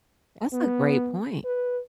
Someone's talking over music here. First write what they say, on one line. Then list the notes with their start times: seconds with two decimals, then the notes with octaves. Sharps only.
That's a great point.
0.53 B3
1.44 B4